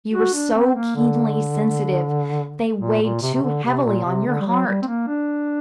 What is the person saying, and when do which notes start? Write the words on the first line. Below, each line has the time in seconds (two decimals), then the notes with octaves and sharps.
You were so keenly sensitive--they weighed too heavily on your heart.
0.14 F#4
0.33 D4
0.54 C4
0.75 A#3
0.96 D3
2.81 A#2
3.02 A#2
3.22 C3
3.34 C3
3.43 D3
3.64 C3
3.85 A#2
4.05 C3
4.26 D3
4.41 G3
4.46 F#3
4.67 G3
4.82 C4
4.87 A#3
5.07 D4